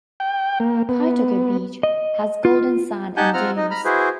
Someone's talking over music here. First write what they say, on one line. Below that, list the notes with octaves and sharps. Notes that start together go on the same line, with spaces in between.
Kaitoke Beach has golden sand and dunes.
G5
A#3
B3
D#5
F4
D#4 G4 F#5 G#5 A5 G6
C4 F4 F#5 A#5 F6
D#4 D#5
A#5 B5 F6
E4 F#4 G#4 B4 C5